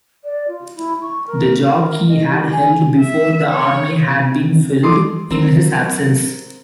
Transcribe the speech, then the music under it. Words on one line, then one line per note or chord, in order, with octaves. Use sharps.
The job he had held before the army had been filled in his absence.
D5
F4
E4
C#6
A#4
A#4
D#5
G4
G#5
E5
C#5
C3
A4 C6 D6 D#6
F#3 C4 A#4